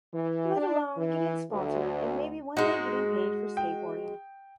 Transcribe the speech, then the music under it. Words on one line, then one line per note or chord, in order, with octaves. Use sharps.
Let alone getting sponsored and maybe one day getting paid for skateboarding.
E3
D4
E3
D2
G#2 G#3 D#4 F#4
G5